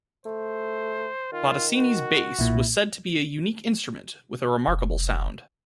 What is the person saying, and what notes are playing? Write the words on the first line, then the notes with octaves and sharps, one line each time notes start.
Bottesini's bass was said to be a unique instrument with a remarkable sound.
A3 C5
D#3 F4
F#4
B1 A#2 E4
F1